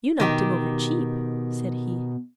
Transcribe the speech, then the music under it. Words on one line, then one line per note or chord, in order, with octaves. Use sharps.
"You knocked him over cheap," said he.
B2 D#3 G4 G5